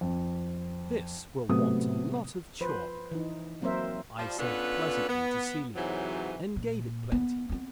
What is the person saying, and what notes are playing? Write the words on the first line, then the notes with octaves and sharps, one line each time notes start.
"This will want a lot of chalk," I said pleasantly to Celia, and gave it plenty.
F2
A2 C3 F#3 A3 B3 D#6
F3 B4 C5
E3 D#4
F#3 A#3 C4 A#4 C5 E5
F3 G3
B3 C#4 D4 F4 A4 B4
B3
G#2 C3 E3 F#3
A#2
B3
B3 C4